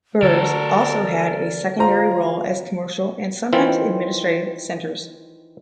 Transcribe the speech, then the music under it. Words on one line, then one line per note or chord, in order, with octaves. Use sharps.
Burhs also had a secondary role as commercial and sometimes administrative centres.
D3 F#4 A4 A#4 D5
F4 C5 F5 A#5
D#3 E3 C4 F4